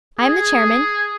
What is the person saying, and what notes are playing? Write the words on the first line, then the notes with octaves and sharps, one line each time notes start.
I am the chairman.
G#4